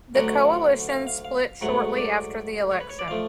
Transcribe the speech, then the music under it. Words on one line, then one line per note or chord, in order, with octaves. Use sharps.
The coalition split shortly after the election.
D2 D3 F#3 A3 F#5
F5
F5
F5
G#2 F#3 A3 F#5
D5
C#5
B4
C#5
D5
F3 A3 F5